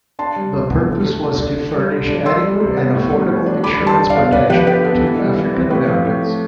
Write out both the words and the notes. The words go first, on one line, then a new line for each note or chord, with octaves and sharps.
The purpose was to furnish adequate and affordable insurance protection to African-Americans.
D4 A5 C6
G3
C3
B3
D3
A3
D3
D4
D3
G3
D3
D4
D4 C6 E6
G3
C3
B3
A2
G3
A2
D4
D3 B5 D6
G3
A5 C6
D3
D5 F5
B3
D4 B4 D5
F3 G4 B4
D3 G4 B4
B3 A4
E3
G3
E3
C4
A2 G4 B4
F3
A2
A3